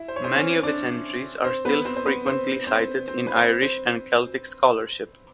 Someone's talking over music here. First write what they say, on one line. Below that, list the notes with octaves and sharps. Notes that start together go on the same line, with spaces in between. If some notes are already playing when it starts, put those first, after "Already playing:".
Many of its entries are still frequently cited in Irish and Celtic scholarship.
Already playing: E4 E5
C5
C#5
C4 C5
C#4 C#5
D4 D5
C4 C5
B3 B4
C4 C5
C5
B3 B4
C4 C5
C4 C5
C4 C5
B4
C4 C5
C4 C5